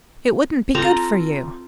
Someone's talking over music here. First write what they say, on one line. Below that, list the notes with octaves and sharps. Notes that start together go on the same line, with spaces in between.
It wouldn't be good for you.'
C4 F4 A4 A#5